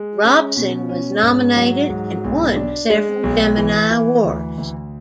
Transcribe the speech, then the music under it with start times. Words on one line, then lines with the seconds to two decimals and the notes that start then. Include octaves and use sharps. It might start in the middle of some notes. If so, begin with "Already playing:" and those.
Robson was nominated and won several Gemini Awards.
Already playing: G#3
0.24 C#4
0.57 B2
0.89 C#4
1.23 G#2
1.56 F#3
1.90 G#2
2.24 B1
2.56 D4
2.90 G#3
3.23 B1
3.57 E3
3.90 E3
4.24 D2
4.57 D2